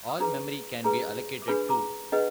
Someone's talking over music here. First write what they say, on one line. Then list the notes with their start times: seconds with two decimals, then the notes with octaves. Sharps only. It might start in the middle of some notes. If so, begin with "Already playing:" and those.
All memory can be allocated too.
0.09 D#6
0.20 D4 G#4 B4 A#5 D6
0.84 D4 G#4 B4 A#5 D6
1.42 D6
1.48 D4 G#4 B4 G#5 B5
1.69 A#5 D6
2.12 D4 G#4 B4 D#5 F#5